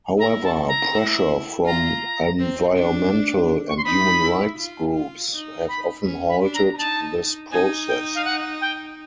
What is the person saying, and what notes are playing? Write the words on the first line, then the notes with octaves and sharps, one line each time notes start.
However, pressure from environmental and human rights groups have often halted this process.
E4 A#5
A5
A#5
E4
F4 A#5
C4
D4
C#6
C6
D#4 B5
E4
F4
F4
D#4
B5
C#4
B5
D4
A#5
A#5
D#4 A5
D#4 G#5
G5
F5
F#5
G5